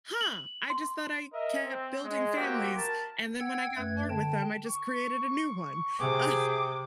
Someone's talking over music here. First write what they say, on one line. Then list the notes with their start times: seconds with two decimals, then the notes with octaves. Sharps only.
"Huh, I just thought I kept building families, and then when I got bored with them, I just created a new one." Um,
0.21 F#7
0.70 C6
1.33 A#4 D#5 E5
1.63 C4
2.03 G#3
2.36 A#3 C4 F#4 G4
2.76 A#4 A5
3.40 F#5 G5 E6 G#6
3.77 F#2 A3 B4 G#6
4.10 D3 G5 A5
4.67 C#6
5.99 C3 G#4 D6